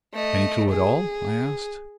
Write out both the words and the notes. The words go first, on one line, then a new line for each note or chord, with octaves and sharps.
"Any clew at all?" I asked.
A3 D#5
G#4